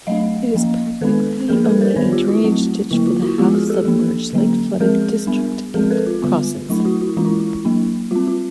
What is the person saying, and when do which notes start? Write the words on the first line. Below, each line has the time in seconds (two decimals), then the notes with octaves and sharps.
It is practically only a drainage ditch for the half-submerged, lake-flooded district it crosses.
0.07 F#3 A3 D4 D#5 F5
0.55 F3 A#3 C#4
1.01 D#3 G#3 B3 D4 A4 B4
1.49 F3 A#3 D4 G#4 A#4
1.64 A4 B4
1.81 A#4 C5
1.91 D5
1.96 D#3 G3 B3 D4 B4 C#5
2.12 F4 G4
2.28 E4 F#4
2.44 F#3 A3 C4
2.91 D3 F#3 A#3 E4
3.07 F4
3.22 E4 F#4
3.38 F3 G#3 B3 F4 G4
3.54 F#4 G#4
3.70 G4 A4
3.85 F3 A#3 D4
4.33 D3 F#3 A#3 C#4
4.80 F3 G#3 C4 G#4 A#4
5.27 G3 B3 D4
5.74 F3 G#3 C4 G#4 A#4
5.91 A4 B4
6.07 F4
6.22 D3 G3 B3
6.70 F#3 A3 D4 E4
6.85 E4 F#4
7.01 E4 F#4
7.17 E3 G#3 C#4 F4
7.25 E4
7.40 E4
7.65 F#3 A#3 D4
8.11 G3 C4 F4
8.27 F4